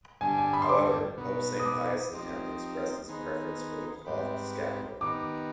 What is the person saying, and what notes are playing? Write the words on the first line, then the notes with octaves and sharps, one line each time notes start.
However, Pope Saint Pius the Tenth expressed his preference for the cloth scapular.
G2 D3 G3 D4 G#5
G#5
B5
C6
D6
B2 B3 D#4
D#6
D6
F3 C4 D#4 G4
D#3 B3 D#4 G#4 C5
G#2 G3 C4 G4 B4
D#3 B3 D#4 G4 D6